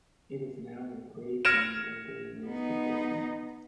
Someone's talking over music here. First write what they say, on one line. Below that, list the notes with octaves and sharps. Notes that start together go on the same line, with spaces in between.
It is now a Grade B locally listed building.
F6 G#6 A#6 C#7 D7 E7
B3 D#4